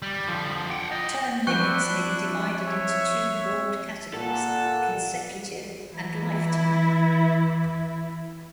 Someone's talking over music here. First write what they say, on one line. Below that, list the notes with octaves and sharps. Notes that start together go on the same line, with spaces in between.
Term limits may be divided into two broad categories: consecutive and lifetime.
G3
D3 F3
F#5 G5
C5 D#5
F3 C4 D4 E4 C#6 F#6 G6 C#7
C#5 E5
A#2 A4 F#5
E3 E4